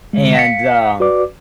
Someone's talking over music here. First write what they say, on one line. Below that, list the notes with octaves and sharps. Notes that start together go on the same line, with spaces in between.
And, um,
D3 G#3
F5 B6 C#7
F#4 B4 D5 D6